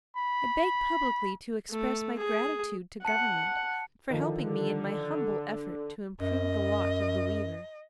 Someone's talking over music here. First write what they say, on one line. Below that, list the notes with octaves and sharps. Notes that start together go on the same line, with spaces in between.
I beg publicly to express my gratitude to Government for helping me in my humble effort to improve the lot of the weaver.
B5
A3
G#4
F#5 A5 C#7
D3 D#3 F3
F#2 D#5